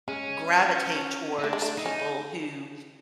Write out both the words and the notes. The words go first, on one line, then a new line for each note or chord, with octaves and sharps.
gravitate towards people who
G#3 C#4
D#4
A3 D4
G#3
A3
D#4
C#4